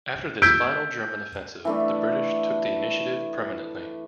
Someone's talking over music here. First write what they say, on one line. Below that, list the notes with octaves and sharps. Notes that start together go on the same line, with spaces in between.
After this final German offensive, the British took the initiative permanently.
E6 G6 G#6 B6 D7
E3 A3 D4